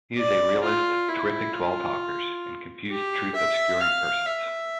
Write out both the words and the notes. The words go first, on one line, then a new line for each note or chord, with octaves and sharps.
He is a realist, terrific to all talkers, and confused truth-obscuring persons.
D5
F4
E4
F4
G4
E5
F5
E5